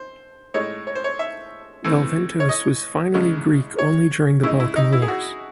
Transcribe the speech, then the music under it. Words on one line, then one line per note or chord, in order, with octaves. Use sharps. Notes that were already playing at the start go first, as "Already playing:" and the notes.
Velventos was finally Greek only during the Balkan Wars.
Already playing: C5
A2 G#3 D#4 C#5
C#5
C5
C#5
E5
A2 E3 C4
C#5
D#5
E2 C#3 G#3
C#5
C#3 G#3 D#4 E4
E4
D#4
E4
G#4
F#4